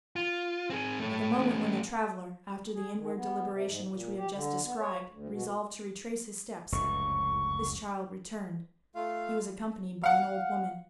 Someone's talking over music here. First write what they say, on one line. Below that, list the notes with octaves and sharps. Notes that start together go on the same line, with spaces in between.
At the moment when the traveller, after the inward deliberation which we have just described, resolved to retrace his steps, this child returned. He was accompanied by an old woman.
F4
C4 G#4
A3 C#5
A3 C#4
G#4
D#3
B3
C3
G#2
A#2
G4
D3
B3
C#5
D2
B2
F1 C#2 F#2 C#6
A3 F4 F5
F5 F#5